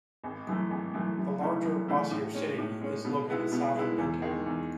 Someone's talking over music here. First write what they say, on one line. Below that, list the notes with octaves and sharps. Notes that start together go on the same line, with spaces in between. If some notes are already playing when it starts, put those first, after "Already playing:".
The larger Bossier City is located south of Benton.
G#1
F#2 E3 A3
G#1
F#2 E3 A3
F#2
C#3 E3 A3 E4
F#2
C#3 E3 A3 E4
A2
G#3 C#4
A2
G#3 C#4
B2
G#3 B3 E4
B2
G#3 B3 E4
E2
D#3 G#3 D#4 G#4
E2